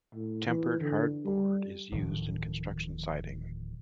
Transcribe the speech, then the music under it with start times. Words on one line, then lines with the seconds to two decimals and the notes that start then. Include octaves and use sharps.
Tempered hardboard is used in construction siding.
0.14 A2
0.47 E3
0.80 D3
1.25 G3
1.92 D1 A2 D#3 F3